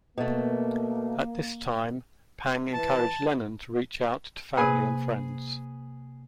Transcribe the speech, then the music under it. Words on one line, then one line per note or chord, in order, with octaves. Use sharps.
At this time, Pang encouraged Lennon to reach out to family and friends.
B2 A3 A#3
E3 A5
C3 A#3 G#4 B4 G#5